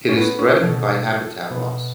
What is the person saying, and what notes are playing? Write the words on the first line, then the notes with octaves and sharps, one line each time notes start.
It is threatened by habitat loss.
C#4
B3
C#4
B2 A4
B2 B4